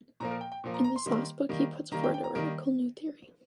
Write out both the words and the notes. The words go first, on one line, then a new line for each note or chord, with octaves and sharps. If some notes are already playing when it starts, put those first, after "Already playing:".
In this last book he puts forward a radical new theory.
A#2 F3 A#3 A#5
A#4
G5
G5
A#2 F3 A#3
A#5
A#5
C6
D#3 G3 A#3
D#3 G3 A#3
D#3 G3 A#3 A#5
G5
G5
A#5
D#3 G3 A#3 A#4